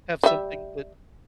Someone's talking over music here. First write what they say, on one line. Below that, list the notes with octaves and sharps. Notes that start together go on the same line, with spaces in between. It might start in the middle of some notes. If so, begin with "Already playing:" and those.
have something that
G3 E5